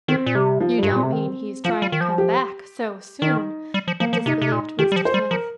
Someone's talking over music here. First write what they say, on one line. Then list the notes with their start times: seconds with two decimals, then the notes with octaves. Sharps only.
"You don't mean he is trying to come back--so soon!" disbelieved Mr. Smith.
0.08 D#3 C4
0.26 A#2
0.35 C3 G3
0.60 F3
0.78 G2 G3
0.92 A#2 C4
1.03 C3
1.12 D#3
1.65 F3 F4
1.82 G3
1.92 D#3
2.01 F3
2.18 G4
3.22 D#3 D#4
3.74 G3
3.88 F3
4.00 F3 A#3
4.13 F3
4.26 C3 D#4
4.42 C3
4.52 A#2
4.79 D#3 G4
4.92 G3
4.96 F3
5.05 C5
5.14 G3
5.31 F3 A#4